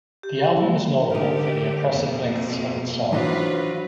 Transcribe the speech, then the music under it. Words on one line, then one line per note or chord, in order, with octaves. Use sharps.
The album is notable for the impressive lengths of its songs.
G4
E4
A#3
D3 D#4 G4 A#4
F2 B2 A#3
E3 F#3 D4 D#4 F4 B4 C5